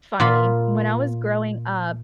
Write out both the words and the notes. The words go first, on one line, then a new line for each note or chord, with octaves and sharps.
funny, when I was growing up,
A#2 F4 B5